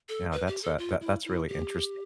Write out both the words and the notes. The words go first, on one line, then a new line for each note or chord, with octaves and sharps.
yeah, that's uh, that that's really interesting.
A4
B4
G4
A4
F4
E4
E4
G4